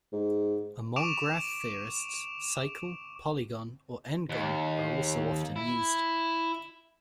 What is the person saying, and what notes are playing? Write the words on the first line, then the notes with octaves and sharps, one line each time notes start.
Among graph theorists, cycle, polygon, or n-gon are also often used.
G#2
C#6 D6 D7 E7 F7
D#2
E4